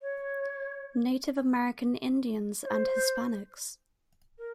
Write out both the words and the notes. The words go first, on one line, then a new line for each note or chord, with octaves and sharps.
Native American Indians and Hispanics.
C#5
C#5
C5
A#4